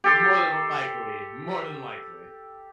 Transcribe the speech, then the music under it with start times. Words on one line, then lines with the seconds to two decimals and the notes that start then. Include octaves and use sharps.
More than likely. More than likely.
0.04 G4 A4 C6